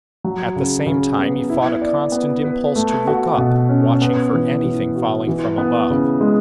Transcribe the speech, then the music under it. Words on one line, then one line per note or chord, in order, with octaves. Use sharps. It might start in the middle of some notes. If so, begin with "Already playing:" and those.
At the same time he fought a constant impulse to look up, watching for anything falling from above.
F#3
C#3
C#3
B3
E4
D5
B3
B4
A3
F#4
B2
C#4
B3
E3
E3
F#4
E3
B3
C#3
G#3